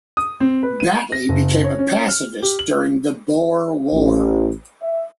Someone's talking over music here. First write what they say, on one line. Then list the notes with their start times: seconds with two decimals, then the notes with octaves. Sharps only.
Battley became a pacifist during the Boer War.
0.17 D#6
0.40 C4
0.63 B4
0.80 D#7
1.12 A#6
1.29 F#1
1.64 C#5
1.79 C#4
2.09 F6
2.42 G4
2.59 F#7
3.94 A1
4.83 E5